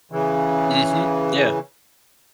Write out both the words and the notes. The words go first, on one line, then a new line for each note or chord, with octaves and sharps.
Mhm. Yeah.
C#3 E3